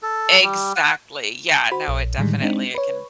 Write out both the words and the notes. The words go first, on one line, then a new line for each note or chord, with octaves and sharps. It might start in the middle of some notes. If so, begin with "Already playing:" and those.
Exactly, yeah, no, it definitely, it can
A4
G3
F#5
F#4 C5 B5
A#1
A2 D3 D#3 G3 G#3
G#3 C4 D4 D#4
B4 C#5